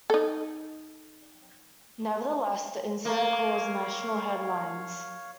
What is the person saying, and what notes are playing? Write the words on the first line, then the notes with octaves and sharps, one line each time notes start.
Nevertheless, the incident caused national headlines.
D#4 A4
A#3 C#5 F5